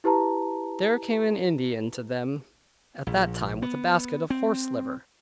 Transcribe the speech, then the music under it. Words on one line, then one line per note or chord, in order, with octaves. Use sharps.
There came an Indian to them at that time with a basket of horse liver.
E4 G4 B4 A5 A#5
A#1
B3
C4